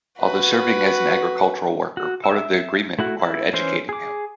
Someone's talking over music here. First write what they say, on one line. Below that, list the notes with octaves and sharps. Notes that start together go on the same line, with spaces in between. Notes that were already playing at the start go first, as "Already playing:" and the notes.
Although serving as an agricultural worker, part of the agreement required educating him.
F#4 B4
F#4
E5
A3 E4 F#4
E4
E3 C#4 C5
G#4 D6